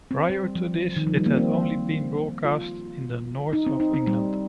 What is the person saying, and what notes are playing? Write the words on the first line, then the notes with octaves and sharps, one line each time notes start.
Prior to this it had only been broadcast in the North of England.
C4
G3
F3
D#3
F3
G3
A#3
C4
F4
D#4
C4
D#4
C4
G3